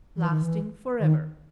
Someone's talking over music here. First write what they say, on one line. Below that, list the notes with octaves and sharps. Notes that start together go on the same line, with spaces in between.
Lasting forever.
E3
D#3
E3
D#3